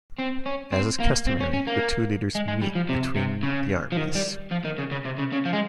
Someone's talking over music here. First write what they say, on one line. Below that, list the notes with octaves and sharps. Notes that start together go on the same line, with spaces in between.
As is customary, the two leaders meet between the armies.
C4
C#4
C4
A#3
C4
C#4
C#4
A#3
G#3
G#3
G3
F3
C3
C3
C#3
F3
D#3
G3
F3
D#3
C#3
C#3
C3
C#3
C#3
F3
G#3